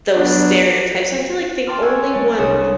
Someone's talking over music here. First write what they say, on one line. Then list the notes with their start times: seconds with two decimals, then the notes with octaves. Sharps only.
those stereotypes. I feel like the only one
0.16 F#3 B3 D4
1.67 G5 A5 C6 D6 F6
1.82 G#5 C#6 E6 F#6 G#6
2.13 G#3 C#5 D5
2.39 C2 D4 G#4 C#5 D#6 E7